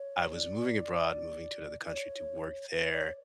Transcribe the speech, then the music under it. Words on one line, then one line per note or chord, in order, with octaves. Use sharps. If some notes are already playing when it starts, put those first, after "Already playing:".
I was moving abroad, moving to another country to work there,
Already playing: C#5
D5
D5
C#5
B4
C#5
D5
C#5